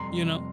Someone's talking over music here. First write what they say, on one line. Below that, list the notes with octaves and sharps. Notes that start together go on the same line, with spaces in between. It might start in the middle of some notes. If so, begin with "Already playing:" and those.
You know?
Already playing: F2 C3 G3 A#5 C6